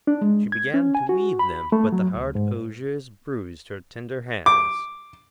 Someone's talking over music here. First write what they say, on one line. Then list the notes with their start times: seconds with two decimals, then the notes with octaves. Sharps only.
She began to weave them, but the hard osiers bruised her tender hands.
0.07 D4
0.21 G#3
0.52 G#6
0.74 C#4
0.95 G#5
1.09 F#4
1.39 B5
1.72 A3
1.92 F#3
2.14 D2
2.35 G#2
4.46 D6